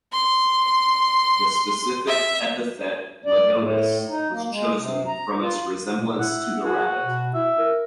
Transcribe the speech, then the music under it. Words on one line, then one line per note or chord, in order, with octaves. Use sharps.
The specific epithet "lagotis" was chosen "from its resemblance to the Rabbit".
C6
E5
D5
A2
D#4
A#3
G#3
C3
A#5
F4
A#2
E4 F#5
F#4 G#4
B2
E4 E5
A#4